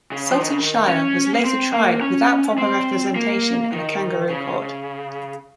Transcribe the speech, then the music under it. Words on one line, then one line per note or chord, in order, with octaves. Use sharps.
Sultan Shire was later tried without proper representation in a kangaroo court.
C#3
F3
D#3
C#3
D#3
C#4
A#3
C4
A#3
C#4
C4
A#3
D#3
C#3